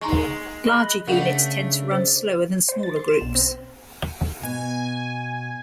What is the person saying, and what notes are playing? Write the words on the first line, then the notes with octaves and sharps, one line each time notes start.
Larger units tend to run slower than smaller groups.
G#3 D#4 A#5 C#6
D#5 B5 F#6
C#3 A3 D4 A#4 F5 F#5
C5
C5
A6
C6
E7
B1
C4
B2 G#5